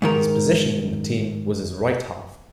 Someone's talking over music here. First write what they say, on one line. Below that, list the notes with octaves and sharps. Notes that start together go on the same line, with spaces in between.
His position in the team was as right-half.
G#2 D#3 A#4